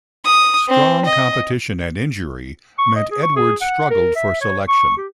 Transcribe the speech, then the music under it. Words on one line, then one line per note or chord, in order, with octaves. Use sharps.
Strong competition and injury meant Edwards struggled for selection.
D#6
C4
D#5
C#6
D#5
G#4
C#6
G#4
F#5
A#4
E5
C#5
C#6
G4